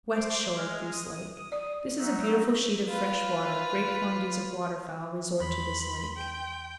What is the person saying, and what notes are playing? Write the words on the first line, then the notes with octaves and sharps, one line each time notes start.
West shore of Goose Lake.--This is a beautiful sheet of fresh water; great quantities of water-fowl resort to this lake.
C5 D6
G#3 F6
D#6
D5
F#3 D#4 E5
F4 B4
E2 B5 C6
G5